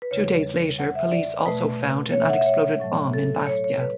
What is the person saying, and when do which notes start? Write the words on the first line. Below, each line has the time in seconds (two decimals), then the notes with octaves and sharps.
Two days later police also found an unexploded bomb in Bastia.
0.02 B4
0.11 E2 C#3 G3 C#5
0.79 F#5
0.95 E5
1.12 D5
1.45 B2 A3 B4
2.12 C#5
2.21 E5
2.30 F#5
2.37 E5
2.46 C#5
2.80 A2 F#3 A3
3.13 A4
3.47 C#5
3.64 C#5
3.80 B4